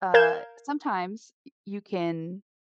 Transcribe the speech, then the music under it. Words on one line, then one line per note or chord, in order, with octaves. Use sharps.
uh, sometimes y you can
A#4 F5 G6 G#6 E7